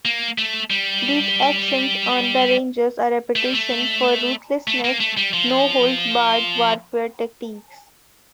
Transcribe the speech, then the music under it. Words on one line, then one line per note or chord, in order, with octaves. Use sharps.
These actions earned the Rangers a reputation for ruthlessness no holds barred warfare tactics.
A#3
A3
G3
A3
G3
A3
A3
A#3
A3
G3
F3